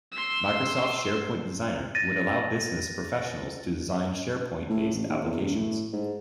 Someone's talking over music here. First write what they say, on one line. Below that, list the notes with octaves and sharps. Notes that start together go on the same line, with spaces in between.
Microsoft SharePoint Designer would allow business professionals to design SharePoint-based applications.
C6 E6
A6 A#6 D#7
A2
A1
D#2
E2
E1
A2
G#2